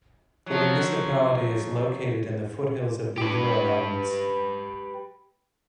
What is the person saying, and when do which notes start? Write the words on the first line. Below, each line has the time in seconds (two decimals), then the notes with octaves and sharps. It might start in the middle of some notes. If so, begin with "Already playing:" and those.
The municipality is located in the foothills of the Jura Mountains.
0.46 F3 F#3
3.18 G4 B4